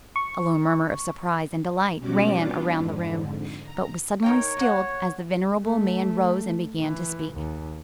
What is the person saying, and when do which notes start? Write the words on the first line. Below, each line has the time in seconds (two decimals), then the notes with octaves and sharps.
A low murmur of surprise and delight ran round the room, but was suddenly stilled, as the venerable man rose and began to speak.
0.16 C#6
1.99 B2 G3 C#4 F#4 D6
2.34 B3 D4 F4
2.76 F2 G#2 D3
3.62 A#5
4.24 D#4 A#4 C#5 G5
4.57 A#3 F#4 F#5
5.65 A3
6.80 E3
7.33 D#2